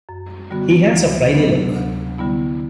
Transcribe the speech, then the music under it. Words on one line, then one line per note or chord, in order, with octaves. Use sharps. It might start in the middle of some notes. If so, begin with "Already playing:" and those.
He has a Friday look.
F#2
D3 G3 B3 F#4
D2
C3 F#3 B3 D4
D2
D3 G3 B3 E4